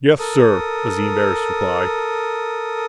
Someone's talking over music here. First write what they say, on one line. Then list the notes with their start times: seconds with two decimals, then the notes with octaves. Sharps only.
"Yes, sir," was the embarrassed reply.
0.19 A4 A#4 D#6